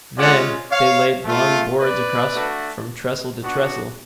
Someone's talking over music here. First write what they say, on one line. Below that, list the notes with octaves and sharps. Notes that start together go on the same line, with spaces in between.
Then they laid long boards across from trestle to trestle.
G#3 C#4 F4 D5 F#5
C#5 F5
A3 F4
B4 D5
A3 D4 F#4
B3 D4 F#4